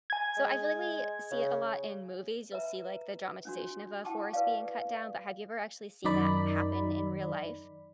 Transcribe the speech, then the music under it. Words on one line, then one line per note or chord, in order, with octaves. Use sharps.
So I feel like we see it a lot in movies. You'll see, like, the dramatization of a forest being cut down, but have you ever actually seen that happen in real life?
G#5 G#6
G#3
C#3
B4 E5 A#5
C#4 D4 F#4
E4 F#5 G5 A5 C#6 D6
B4 D5 F5
F#2 D#3 D#4 D5 B5